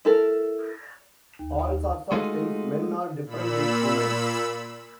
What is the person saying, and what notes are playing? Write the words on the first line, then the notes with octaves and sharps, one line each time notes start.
All sorts of things; Men are different with women.
E4 A4 A#4
D#2
G#3 A3 D#4 F4 F#4 G#4
A#2 B5 E6